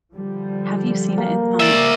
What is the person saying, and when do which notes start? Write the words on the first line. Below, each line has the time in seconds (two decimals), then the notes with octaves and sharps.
Have you seen it? It's on
0.15 D3 F3 G3
1.18 A#3
1.60 D5 E5